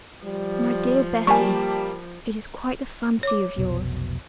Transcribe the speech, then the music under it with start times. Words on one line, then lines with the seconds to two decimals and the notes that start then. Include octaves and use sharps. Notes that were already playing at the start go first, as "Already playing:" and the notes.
'My dear Bessy, it is quite a fancy of yours.'
0.24 F3 G3
1.27 G3 A#3 G4 G#5 A5 C#6
3.23 C#5 D6
3.58 F1 B1 B2